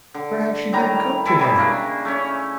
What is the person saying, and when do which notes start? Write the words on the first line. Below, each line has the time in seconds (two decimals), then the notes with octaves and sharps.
"Perhaps she didn't come today."
0.14 D3
0.73 A2 D#3 G3 A#5
1.26 E3 E4 A4 G#5
1.39 B2 E3 G3 G#3
1.56 C#3 A#3 D4
2.05 A3 C#4